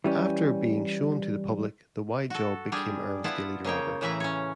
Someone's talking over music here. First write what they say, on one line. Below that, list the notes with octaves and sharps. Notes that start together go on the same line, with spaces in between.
After being shown to the public, the Y-job became Earl's daily driver.
E3 G3 C#4
F#4 A4
G3 D4 G#4
B3 E4 F4 B4 F#5 A5
C#3 A#3 C#5 G5
A2 C#3 E3 B4 E5 A#5
C#4 C#5